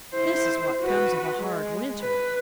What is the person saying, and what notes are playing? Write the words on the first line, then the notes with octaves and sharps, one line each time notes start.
"This is what comes of a hard winter."
E4 C5
F#4 B4
G#3
B4